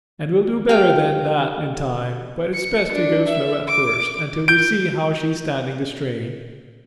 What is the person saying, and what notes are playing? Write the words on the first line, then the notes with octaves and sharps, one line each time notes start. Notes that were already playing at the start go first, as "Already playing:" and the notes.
And we'll do better than that in time, but it's best to go slow at first, until we see how she is standing the strain.
G4 A4 F5 G5
C#7
D4
E5
D6
G6 D7